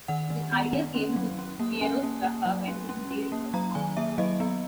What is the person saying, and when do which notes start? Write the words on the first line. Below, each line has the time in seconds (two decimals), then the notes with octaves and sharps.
The idea came to Piero Sraffa when he was reading a book.
0.08 D#3 F#5
0.30 D#3
0.52 B3
0.73 D#3
0.95 C#4
1.16 F#3
1.39 C#4
1.60 A#3
1.81 C#4 G#5
2.03 A#3
2.24 A#3
2.46 F#3
2.68 C#4
2.89 C#4
3.11 C#4
3.32 A#3
3.54 F#3 A#5
3.75 D#3 G#5
3.97 A#3 E5
4.18 F#3 D#5
4.40 B3